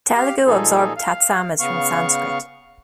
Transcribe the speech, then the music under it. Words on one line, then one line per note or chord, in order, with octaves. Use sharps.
Telugu absorbed "tatsama"s from Sanskrit.
G4 F5
A#2 F3 D#4 G#4 A4
F5
C#3 B3 F5 C#6